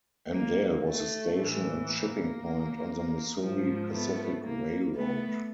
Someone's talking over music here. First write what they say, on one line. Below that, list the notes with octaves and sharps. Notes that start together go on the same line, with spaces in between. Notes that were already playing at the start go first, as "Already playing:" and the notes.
Andale was a station and shipping point on the Missouri Pacific Railroad.
A#3
A3
A2 E3
A#3
G#2 F3
A3 B3
A#3
A3 B3